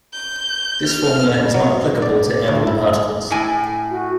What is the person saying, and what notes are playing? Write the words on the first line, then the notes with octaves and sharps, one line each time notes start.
This formula is not applicable to airborne particles.
G6
F6
C#2
F#3
D5
D2
E4
A2 G#5
F#4